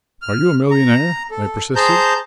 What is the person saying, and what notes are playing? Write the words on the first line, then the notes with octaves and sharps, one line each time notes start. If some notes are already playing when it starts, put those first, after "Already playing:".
"Are you a millionaire?" I persisted.
F6
A#5
A4
G#4 C5 A5 A#5 G6